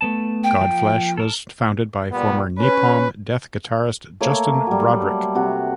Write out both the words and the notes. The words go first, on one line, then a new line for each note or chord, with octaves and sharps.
Godflesh was founded by former Napalm Death guitarist Justin Broadrick.
A3 B3 A5
G5
F3 A#3
A4 A#4 A5
A#2 G3 B3
C#4 B4
A3 A#3 C#5 D6
F#3 G3
C3 F#4